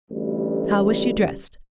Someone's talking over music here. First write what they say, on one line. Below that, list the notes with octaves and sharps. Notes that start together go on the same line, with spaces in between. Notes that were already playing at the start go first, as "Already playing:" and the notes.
"How was she dressed?"
A1 D2 G3